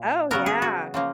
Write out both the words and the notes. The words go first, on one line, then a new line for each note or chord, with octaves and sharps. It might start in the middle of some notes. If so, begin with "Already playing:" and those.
Oh, yeah.
Already playing: A#2
C#3 F#3 B3 A#4
G#4
F#4
C#3 F3 A#3